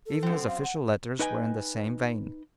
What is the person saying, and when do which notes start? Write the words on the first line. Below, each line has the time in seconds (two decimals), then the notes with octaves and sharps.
Even his official letters were in the same vein.
0.06 A4
0.23 F#2 C4
0.47 F5
0.64 F#5
1.19 D#4 B4 D#5 G5 G#5